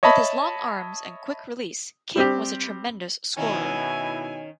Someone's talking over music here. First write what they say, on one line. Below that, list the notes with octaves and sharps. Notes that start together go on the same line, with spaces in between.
With his long arms and quick release, King was a tremendous scorer.
C#5 D#5 E5 A5 B5
G3 C4 G4
B2 D#3 C#4 E4 G#5